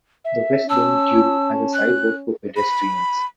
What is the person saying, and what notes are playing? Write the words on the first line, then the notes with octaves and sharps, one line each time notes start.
The westbound tube has a sidewalk for pedestrians.
E5
C#4 A5 E6
F#6
B5